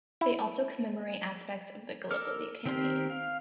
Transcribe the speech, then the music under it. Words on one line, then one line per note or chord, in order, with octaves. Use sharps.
They also commemorate aspects of the Gallipoli Campaign.
E4
A4 A#4 D6 F6
D#3 C4 G4 A#4 C6
F5